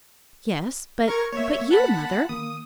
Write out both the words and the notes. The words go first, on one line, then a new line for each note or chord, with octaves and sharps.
"Yes--but--but you, Mother?"
A#4 C#6 G#6
A#3 C#5 E5
F#5 A5 B5
D#3 A#3 D#6